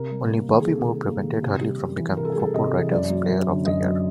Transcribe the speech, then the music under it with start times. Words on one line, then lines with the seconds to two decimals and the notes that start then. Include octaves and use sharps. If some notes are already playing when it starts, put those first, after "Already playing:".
Only Bobby Moore prevented Hurley from becoming Football Writers Player of the Year.
Already playing: C3 A#4
0.11 G3
0.30 A#3
0.48 D#3
0.59 G#4
0.67 C3 A4
0.86 G3
1.05 A#3
1.23 D#3
1.42 C3
1.61 G3
1.79 C3
1.98 E3
2.16 C3 A#4
2.25 A4
2.32 G#4
2.35 G3 A4
2.54 C3 D#5
2.73 E3
2.91 F#2 D5
3.10 F#3
3.29 F#2
3.48 D3
3.66 F#2 D#5
3.85 F#3